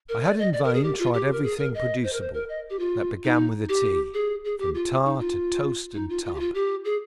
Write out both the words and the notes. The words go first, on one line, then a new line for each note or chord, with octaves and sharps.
I had in vain tried everything producible that began with a T, from tar to toast and tub.
A#4
D5
D#5
D5
A#4
G#4
G4
F4
G4
A#4
G#4
A#4
D#5
C5
A#4
C5
A#4
D#5
G4
F4
D#4
G4
G#4
G#4
G4
F4
D#4
F4
D#4
F4
F4
G4
F4
G4
G#4